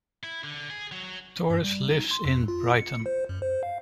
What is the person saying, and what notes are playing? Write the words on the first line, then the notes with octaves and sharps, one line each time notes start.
Torres lives in Brighton.
E4
D3
G#4
F#3
F#3
G2
G3
D#4
C6
F2
F4
C#7
C5
F#2
C5
F5